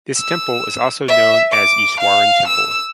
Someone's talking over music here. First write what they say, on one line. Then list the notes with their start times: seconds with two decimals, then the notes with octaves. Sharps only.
This temple is also known Easwaran Temple.
0.17 E6
1.08 E5
1.52 D6
2.00 F5
2.47 E6